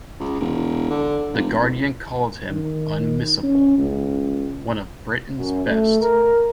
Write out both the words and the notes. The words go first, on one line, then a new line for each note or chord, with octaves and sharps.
The Guardian called him unmissable... one of Britain's best.
C#2
E1
D3
F1
C2
D#3
C#4
C#2
F#2
A3
A#4